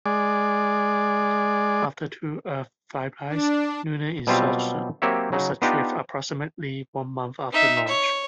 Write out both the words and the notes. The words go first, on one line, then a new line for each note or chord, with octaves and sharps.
After two Earth flybys, lunar insertion was achieved approximately one month after launch.
G#3 D5
D4
B2 F#3 G3 C4 F4 G4
F#3 A#3 C4 G4 C#5 E5
C#3 F#3 D#4
B3 D4 D#4 F4 G4
D#4 E5
C#5